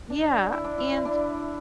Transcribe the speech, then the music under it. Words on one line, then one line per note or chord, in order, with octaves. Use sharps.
Yeah, and
D4
E4
D4
E4
E4
D4